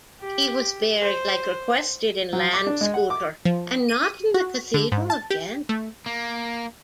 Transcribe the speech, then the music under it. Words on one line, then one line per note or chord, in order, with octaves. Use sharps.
He was buried like requested in Landskouter, and not in the Cathedral of Ghent.
G4
C5
F#3
D6
D4
G#3
F#5
D6
F3
D#7
F#4
D3
G#2
A5
G4
A3
A#3